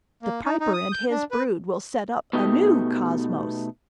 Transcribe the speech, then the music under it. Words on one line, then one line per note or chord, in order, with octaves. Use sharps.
The Piper and his brood will set up a new cosmos.
A#3
D#4
D#4
D#6
G6
D4
B4
B2 A3 B3 D#4 G4 D#5